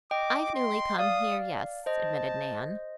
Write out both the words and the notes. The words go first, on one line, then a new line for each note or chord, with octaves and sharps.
"I've newly come here, yes," admitted Nan.
D#5 G5 D6
C6
D5 F5 D#6
C5 D#5 A5